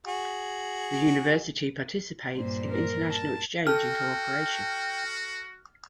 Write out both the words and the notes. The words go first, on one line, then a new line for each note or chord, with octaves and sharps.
The university participates in international exchange and cooperation.
F#4 G#4
G2 A#2 C5
A#4
A5
F#4 A4 G5 F6